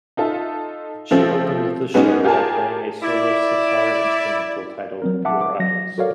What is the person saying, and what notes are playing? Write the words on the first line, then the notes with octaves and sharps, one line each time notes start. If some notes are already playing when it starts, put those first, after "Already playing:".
She opened the show by playing a solo sitar instrumental titled "Your Eyes".
D#4 F4 A4 E5
C#3 F3 A3 C4
G#2 G#3 B3 C#4 D#4 F#4
F4 G4 G#4 A#4 G#5 A5
E4 D5
F#3 C4 A#4
E5 F#5 A5 D6
D6
F#3 A#6
F#4 A4 A#4 C#5 D5 F5